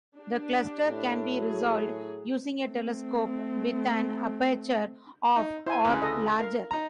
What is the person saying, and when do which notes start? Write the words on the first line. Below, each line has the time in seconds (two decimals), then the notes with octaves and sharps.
The cluster can be resolved using a telescope with an aperture of or larger.
0.17 D4 G4
0.83 A2
1.35 F#3 G#4
2.65 A3 C4
5.36 D#4
5.66 E4 C5 G#5
5.85 D2 C#3 C#4 B4
6.02 A4 D#5
6.39 A#4 F5
6.71 D#4 A#5